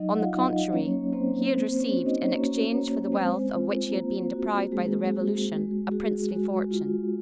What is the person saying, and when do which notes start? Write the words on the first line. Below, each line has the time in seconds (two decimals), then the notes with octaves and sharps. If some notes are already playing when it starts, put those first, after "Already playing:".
On the contrary, he had received, in exchange for the wealth of which he had been deprived by the revolution, a princely fortune.
Already playing: F#3 D#4 D#5
0.13 F#5
0.20 F4 F5
0.33 D#4
0.46 D#4 D#5
0.73 A#3 C#4 C#5
1.13 A#3 C4 C5
1.52 A#3 C4 C5
1.74 C5
1.80 C#4 C#5
1.93 F#4
2.06 D#4 D#5
2.22 C5
2.32 A#3 C#4 C#5
2.72 A#3 C#4 C#5
3.12 G#3 C4 C5
3.53 F4
3.92 A#3
4.31 F#4
4.72 G#3 G#4
5.11 F#4 G#4
5.52 G#3
5.91 F#4 G#4
6.31 G#3 F#4
6.71 F4